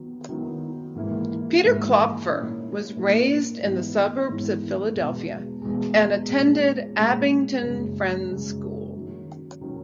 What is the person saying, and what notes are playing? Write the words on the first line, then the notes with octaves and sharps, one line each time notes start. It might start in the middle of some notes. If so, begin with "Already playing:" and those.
Peter Klopfer was raised in the suburbs of Philadelphia and attended Abington Friends School.
Already playing: D#3 F#3 B3
D#3 F#3 B3 E4
G#2 E3 A#3 E4
G#2 E3 A#3 E4
A#2 A#3 C#4 E4
A#2 A#3 C#4 E4
G#2 E3 B3 E4
G#2 E3 B3 E4
E2 B2 G#3
E2 B2 G#3
A#2 G#3 C#4
A#2 G#3 C#4
F#2 C#3 G#3
F#2 C#3 G#3
D#3 F#3 C#4
D#3 F#3 C#4